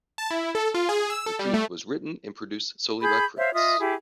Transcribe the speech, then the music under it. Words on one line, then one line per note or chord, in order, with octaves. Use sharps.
"The Truth" was written and produced solely by Prince.
A5
E4
A4
F4
G#4
E6
A4
G3
A3
G#4 B5 G6
C5 C#5 E5 F5
F4 D#5 E5 D#6
E4 G4 G#4